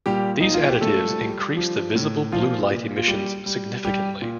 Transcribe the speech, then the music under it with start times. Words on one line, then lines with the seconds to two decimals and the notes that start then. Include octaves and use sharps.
These additives increase the visible blue light emissions significantly.
0.06 A#2 G3 G4
0.41 F3 D#4
0.54 F4
0.68 G4
0.81 G3 A3 A4
1.19 G3
1.57 F3
1.95 A2
2.32 A#2 F3 F4
2.71 A#2
2.97 F4
3.08 G3 G4
3.46 G3
3.84 G3 G4
4.22 A#2